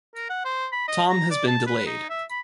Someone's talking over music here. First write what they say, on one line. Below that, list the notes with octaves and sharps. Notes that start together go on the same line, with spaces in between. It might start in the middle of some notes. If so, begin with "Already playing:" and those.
Tom has been delayed.
A#4
F#5
C5
B5
D#5
A#5
D5
A5
B4
D#4
E5
B5